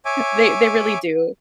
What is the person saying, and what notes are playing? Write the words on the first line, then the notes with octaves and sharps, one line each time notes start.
They they really do.
C#5 E5 G#5 D6